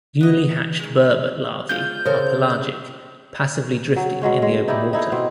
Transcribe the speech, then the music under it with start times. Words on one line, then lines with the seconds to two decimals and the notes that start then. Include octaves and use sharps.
Newly hatched burbot larvae are pelagic, passively drifting in the open water.
0.21 B3 D#5
0.79 D#3 G#3
1.69 G#3 B3 F4 G6
2.06 C#3 A4 A#4 C5
3.96 F#3
4.22 B2 F#3 G#3 C#4
4.42 G#3
4.68 D#4 E4 G4 D5
4.93 D#4 E4 A4
5.12 B2 C4